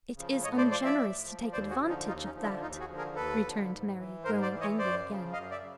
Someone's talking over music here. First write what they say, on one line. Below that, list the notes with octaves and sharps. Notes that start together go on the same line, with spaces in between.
"It is ungenerous to take advantage of that," returned Mary, growing angry again.
C#3 F3
A2 C#5 D#5
C5 D5
F3 C5 D5
D5 E5
A2
F3
D#2 C5 D5
F#4 G#4
D3 F3
C#4 D#4
D#2 D#4 F4
C#4 D#4
D3 F3
D4 E4
D#2 D#4 F4
F#4 G#4
D3 F3
G#4 A#4
D#2 A4 B4
D3 F3
G#2
E3
G#2 A#4 C5
C5 D5
E3
C#5 D#5
F#2 C5 D5
C#3 F3
F#2 D#5 F5
D5 E5
C#3